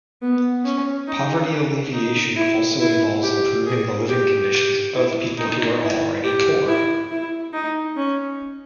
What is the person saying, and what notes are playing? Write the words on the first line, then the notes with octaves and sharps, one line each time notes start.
Poverty alleviation also involves improving the living conditions of people who are already poor.
B3
C#4
D#4
D#4
E4
E4
G4
G#4
G4
G4
E4
D#4
E4
G4
E4
E4
D#4
C#4